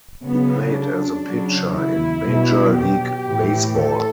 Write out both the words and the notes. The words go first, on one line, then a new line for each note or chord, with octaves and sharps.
He played as a pitcher in Major League Baseball.
C#3 F#3 B3
D4
C#3 F#3
E4
B2 F#3
G4
A2 E3
A4